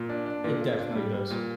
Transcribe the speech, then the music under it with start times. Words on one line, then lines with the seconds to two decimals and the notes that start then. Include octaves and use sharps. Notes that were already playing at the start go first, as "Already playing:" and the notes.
It definitely does.
Already playing: A#2
0.09 D4
0.26 D4
0.44 A#2
0.61 F4
0.78 D4
0.95 G3
1.14 G3
1.30 A#2